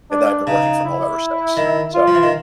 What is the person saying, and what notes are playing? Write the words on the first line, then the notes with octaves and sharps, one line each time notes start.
And then I've been working from home ever since, so,
D4
C#3 D#4
E4
D#3
F4
F3
E3
D#3